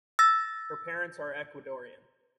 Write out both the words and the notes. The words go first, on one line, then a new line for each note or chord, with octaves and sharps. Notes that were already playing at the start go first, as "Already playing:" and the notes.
Her parents are Ecuadorian.
E6 A6 A#6